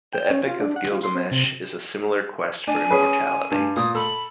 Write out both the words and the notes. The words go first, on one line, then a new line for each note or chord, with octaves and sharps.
The "Epic of Gilgamesh" is a similar quest for immortality.
G5
C#4
F4
D4
F#5
F4
C6
C4
C3
D4 G#5
C#4 G#4 B4
G2
A#2 D#6
A4 B5